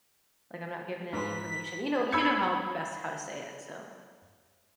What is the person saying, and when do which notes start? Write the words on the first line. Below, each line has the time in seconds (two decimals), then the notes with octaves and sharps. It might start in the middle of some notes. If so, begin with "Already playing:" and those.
like, I'm not given any information." You know you know how best how to say it. So
1.13 G#2 B4 C6 B6
2.12 B5 E6 G#6 C#7